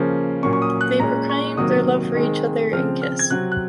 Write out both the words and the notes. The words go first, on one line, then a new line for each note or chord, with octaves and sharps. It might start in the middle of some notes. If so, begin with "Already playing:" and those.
They proclaim their love for each other and kiss.
Already playing: C#3 F3 A#3 C#4
A#2 F#3 A#3 C#4 C#6
C#6
D#6
F#6
A#2 G#3 C#4 A#5
C#6
C3 D#3 F#3 A#3 D#6
D#3 G#3 C4
C#3 F3 C4 F6
F6
G#6
C3 F#3 C4 F#6
F#6